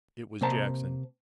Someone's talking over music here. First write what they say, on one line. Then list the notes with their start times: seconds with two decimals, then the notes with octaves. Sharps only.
It was Jackson.
0.41 C3 A#3 C5 A5 A#5